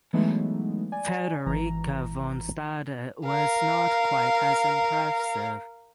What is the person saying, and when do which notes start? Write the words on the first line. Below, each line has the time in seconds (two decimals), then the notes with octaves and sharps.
Frederica von Stade was not quite as impressive.
0.13 E3 F#3 G#3 A3 B3 D#4
0.92 D5 G#5
1.46 G#1 E3 A#5
3.26 A#4 F5